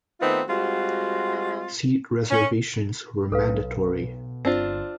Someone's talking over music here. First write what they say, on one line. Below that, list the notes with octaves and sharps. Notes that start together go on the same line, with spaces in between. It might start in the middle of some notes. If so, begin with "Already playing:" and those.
Seat reservations were mandatory.
D#3 A3 B3 C4 D#4 F4
G3 G#3 C4 F4 F#4
C#4
B1 A4 B4 F5
G1 C4 D4 F4